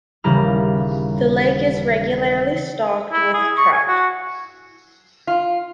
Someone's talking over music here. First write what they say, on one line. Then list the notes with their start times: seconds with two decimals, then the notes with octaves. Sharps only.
The lake is regularly stocked with trout.
0.24 D#1 C#3 E3 G3 A#5 F6
3.12 E4
3.34 G#4
3.58 C#6
3.73 G#5
3.88 F#4
5.27 F4